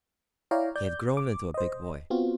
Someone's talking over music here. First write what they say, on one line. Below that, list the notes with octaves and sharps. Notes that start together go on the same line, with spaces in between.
He had grown into a big boy.
E4 C#5 D5 F5 G5 A#5
D5 G6
D6
C5 D#5
B3 C4 F4 F#4